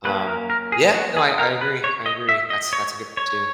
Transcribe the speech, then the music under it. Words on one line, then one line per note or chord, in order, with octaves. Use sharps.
Um, yeah. No. I I agree. I agree. That's that's a good one too.
F#3 A#3 C#4 B4
A#4
A#4
G#4
F#4
G#4
A#4
B4
C#5
D#5
E5
D#5
C#5
C#5